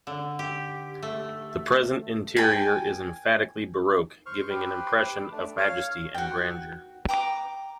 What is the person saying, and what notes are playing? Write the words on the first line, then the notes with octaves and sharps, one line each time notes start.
The present interior is emphatically Baroque, giving an impression of majesty and grandeur.
D3
G4
A3
G5 G#5
C5 C#6 F6
G4 B4 C5 G5
A3 D4
C#5 F5 F6
F#4 G5
G5 A#5 D6